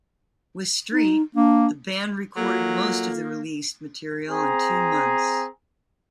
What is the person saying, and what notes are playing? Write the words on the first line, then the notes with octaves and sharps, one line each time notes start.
With Street, the band recorded most of the released material in two months.
D#4
A#3 D4
F#3 A#3 F4 A4
C4 G#4 A#5